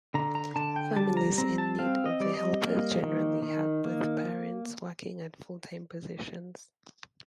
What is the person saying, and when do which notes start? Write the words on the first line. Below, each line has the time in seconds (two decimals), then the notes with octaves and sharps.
Families in need of the helpers generally have both parents working at full-time positions.
0.14 D3 A#5
0.35 A#5
0.56 D3 A5
0.76 G5
0.96 G3 A5
1.17 A#5
1.38 C4 A#5
1.58 A5
1.79 C4 F5
2.06 D#5
2.20 G3 D5
2.34 D#5
2.62 A#3
3.03 D#3
3.43 D#3
3.85 A#3